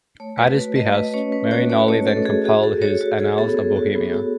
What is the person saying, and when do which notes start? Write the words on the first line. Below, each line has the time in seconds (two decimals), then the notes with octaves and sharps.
At his behest, Marignolli then compiled his "Annals of Bohemia".
0.20 A3 C#5
0.38 F#4 B4
0.57 A3
0.76 A3 D#5
0.95 A3 B4
1.14 C#4 C#5
1.32 C#4 B4
1.51 F#4 C#5
1.70 A3 C#5
1.88 A3 C#5
2.07 A3 A4
2.25 F#4 G#4
2.44 F#4 G#4
2.63 F#4 A4
2.82 F#4 C#5
3.01 F#4
3.19 F#4 G#4
3.38 B3 A4
3.57 B3 G#4
3.76 F#4
3.95 B3
4.14 F#4